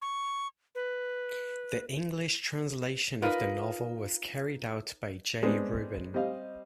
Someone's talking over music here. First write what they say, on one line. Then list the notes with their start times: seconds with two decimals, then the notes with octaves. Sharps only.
The English translation of the novel was carried out by Jay Rubin.
0.02 C#6
0.75 B4
3.22 D#4 F4 A#4 B4 D5 F5
5.43 G3 G#3 B3 C4 D4 G4
6.14 G3 C4 D#5 F5